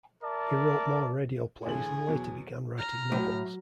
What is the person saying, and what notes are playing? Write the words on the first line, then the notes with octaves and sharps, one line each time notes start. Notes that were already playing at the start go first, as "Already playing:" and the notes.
He wrote more radio plays and later began writing novels.
A#4 D5 E5 A5
A1 D3 G#4 F#7
E2 B2 F#3
A#5 F6
A2 F#3